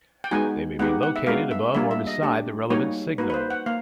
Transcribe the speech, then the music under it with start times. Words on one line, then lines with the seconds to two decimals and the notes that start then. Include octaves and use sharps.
They may be located above or beside the relevant signal.
0.24 G5
0.31 G#3 B3 D#4 F#4 G#5
0.79 G#3 B3 D#4 G4 F#5
1.03 F#5
1.16 E5
1.27 G#3 B3 D4 F#4 F5
1.51 E5
1.75 G3 A#3 D4 F4 E5
1.91 E5
2.07 D#5
2.22 A3 D4 G4
2.70 G3 A#3 D#4 F#4 C#5
3.18 A#3 D#4 F#4 B4
3.30 B4
3.34 C5
3.50 F#5
3.66 A#3 F5